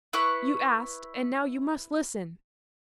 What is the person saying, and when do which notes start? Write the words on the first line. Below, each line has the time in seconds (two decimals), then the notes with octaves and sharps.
"You asked--and now you must listen."
0.13 E4 B4 C#6